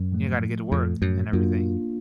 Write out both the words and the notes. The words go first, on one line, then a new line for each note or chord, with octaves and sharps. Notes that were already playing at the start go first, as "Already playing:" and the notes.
you gotta get to work," and everything.
Already playing: F#2
A2 F3 A3
F2
F#2
F#2 A#3 D4 F4